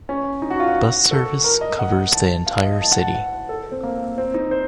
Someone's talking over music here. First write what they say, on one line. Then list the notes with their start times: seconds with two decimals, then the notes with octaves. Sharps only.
Bus service covers the entire city.
0.09 C#4
0.42 D#4
0.50 F#4
0.60 F4
0.68 F#4
1.11 A4
1.44 A#4
1.61 D#5
1.79 F#5
2.13 A5
2.46 F5
2.64 D#5
2.81 A5
2.92 F#5
2.98 A5
3.15 F#5
3.49 A4
3.72 C4
3.83 A#3
4.18 C4
4.34 D#4
4.51 C5